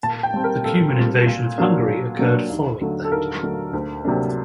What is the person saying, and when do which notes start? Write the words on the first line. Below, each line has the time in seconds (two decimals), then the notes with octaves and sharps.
The Cuman invasion of Hungary occurred following that.
0.03 A#2 A5
0.23 G5
0.34 G3 C4
0.44 A#4
0.64 A#2 A4
0.95 G3 C4
1.26 A#2
1.58 F#3 A#3 D4
1.88 A#2
2.19 F#3 A#3 D4
2.50 D#2
2.81 D3 F#3 A3
3.04 A4
3.11 D#2 A#4
3.42 D3 F#3 A3
3.73 D2
4.05 C3 F#3 A#3 D4